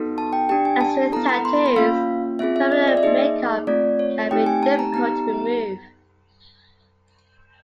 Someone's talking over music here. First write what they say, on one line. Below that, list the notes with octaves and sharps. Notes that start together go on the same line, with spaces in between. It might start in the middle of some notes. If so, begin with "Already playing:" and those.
As with tattoos, permanent makeup can be difficult to remove.
Already playing: B3 D#4 F#4 A4
A5
G5
D4 G4 G5
G#5
A5
B3 E4 A4 A#5
B5
C6
B5
B5
A#3 C#4 F4 F5
C4 F4 G#4 E5
E5
D#5
D5
E5
A#3 D#4 G#4 D#5
A3 C4 F4 D5
C#5
A3 C4 D#4 G4 G5
G#5
A5
A#5
B3 D#4 G4 A#5